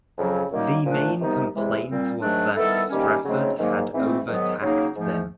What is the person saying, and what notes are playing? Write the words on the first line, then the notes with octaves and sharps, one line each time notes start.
The main complaint was that Strafford had overtaxed them.
F2 C#3 F#3
F#2 D#3 G3 A#3 D#4
A#2 F3 A3 D4
C3 D#3 G3 B3 D#4
E2 C3 E3 G#3
A#2 G3 C4
G#2 D#3 F#3 A3 D4
D#3 G3 B3 E4 A4
C3 D#3 G3 A#3 C#4
C#3 F#3 A3 C4 D#4
G#2 D#3 F#3 A#3
G#2 E3 A3 C4
G#2 D#3 F#3 B3
C#3 F#3 A#3 D#4 G#4
G#2 F3 A3